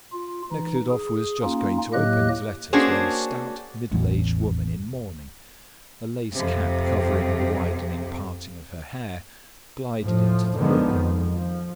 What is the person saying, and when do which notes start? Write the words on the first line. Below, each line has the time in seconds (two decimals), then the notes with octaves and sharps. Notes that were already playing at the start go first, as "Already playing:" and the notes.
Nekhludoff was just going to open his letters, when a stout, middle-aged woman in mourning, a lace cap covering the widening parting of her hair, glided into the room.
0.12 F4
0.52 E3 D#4
0.90 G#4
1.43 A#3 C#4 D#4 F4
1.93 A2 F#3 A#3 G4 D#5 F#6
2.73 A#3 C#4 D4 F#4 G#4 C5
3.91 A1 E2
6.33 F2 C3
10.00 A2 F3
10.57 D3 D#3 F3 G#3 B3
10.93 F2
11.35 F3